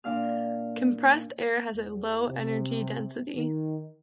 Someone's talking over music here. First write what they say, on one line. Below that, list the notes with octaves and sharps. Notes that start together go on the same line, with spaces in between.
Compressed air has a low energy density.
A#2 D4 F5 F6
E2
C3
D#3